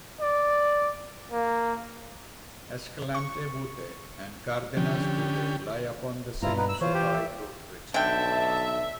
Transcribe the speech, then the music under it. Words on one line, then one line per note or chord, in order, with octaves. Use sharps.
Escalante Butte and Cardenas Butte lie upon the same Supai Group ridgeline.
D5
A#3
C#6
D3 F3 C#4 G4
G2 E4 F4 A#5
B3 D#4 B4
E6
E3 F4 C5 C#5
G4
E5
B1 D3 E5 G5 A5